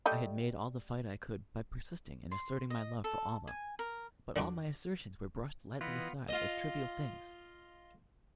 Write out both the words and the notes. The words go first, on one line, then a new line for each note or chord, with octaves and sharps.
I had made all the fight I could by persisting in asserting my love for Almah, but all my assertions were brushed lightly aside as trivial things.
G3 A3 D#5
C6
D#5
A4
G#5
A#4
D3 D4 F#4 D5
E3 B3 F4 B4 D#5
F4 D#5